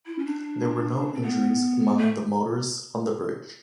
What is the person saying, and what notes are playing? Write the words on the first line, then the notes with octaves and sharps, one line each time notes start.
There were no injuries among the motorists on the bridge.
E4
C#4
D4
C4
B3
A3